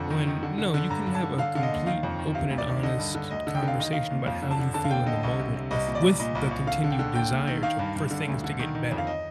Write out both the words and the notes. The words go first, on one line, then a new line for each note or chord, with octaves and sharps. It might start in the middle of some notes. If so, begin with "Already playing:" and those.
when, no, you can have a complete, open, and honest conversation about how you feel in the moment with with the continued desire to for things to get better.
Already playing: F2 D3
D#3
D#3
D3
D3
D3
G2 A#5
G2
A5
D3
D3 F5
D3 F5
D#5
D#2
D#3 F5
F2
D#3
C3 F5
D2
D5
D#3
D3 D#5
G2
D3
D2 D#5
D3
G5
D3
F5
D#3 D#5
D#3 F5
D#2
F2 F5
D3
A5
D3
D3 A5
F5
D#2 G5
D3 D#5
C2 D#5
C3
C3
C2 D#5
A#2
D5
C2
A#2 D#5
C2
C2
D3 F5
D3
G5
D3
D#2 G5
D#2
D#3
D#3 F5
G2
G2
D3
D2
D3
D#3
D#3
F2
F5
D#5